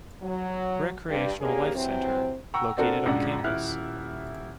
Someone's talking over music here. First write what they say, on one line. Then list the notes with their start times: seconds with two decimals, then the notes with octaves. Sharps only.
Recreational Life Center, located on campus.
0.22 F#3
1.09 G2
1.41 A#3 C#4 D4 G4 G#4 A#4
1.74 C3 E3 F#3 C4
2.54 F#5 G5 A#5 C#6 E6
2.77 C4 D4 F#4 A4 A#4
3.06 A#1 F#2 F3 G#3 D4 F#5
3.44 D#1 E4 E5 F6 F#6